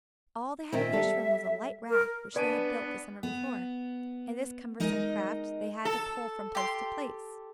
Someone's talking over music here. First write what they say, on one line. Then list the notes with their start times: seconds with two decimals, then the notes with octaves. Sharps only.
All they had to fish from was a light raft which they had built the summer before, and this cumbersome craft they had to pole from place to place.
0.72 A#2 D#3 C4 E5
0.93 G3 A4
1.89 A#4
2.36 B3 D4 B4 D5 G#5 A5
3.23 B3
4.80 G#3 D#4 A#4 D#5
5.85 A4
6.55 G4 C6